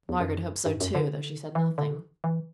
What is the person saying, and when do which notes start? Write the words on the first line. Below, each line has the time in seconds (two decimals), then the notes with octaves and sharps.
Margaret hoped so too, though she said nothing.
0.09 E2
0.20 F#2
0.65 G2
0.81 F#2
0.95 D3
1.55 E3
1.78 D3
2.24 E3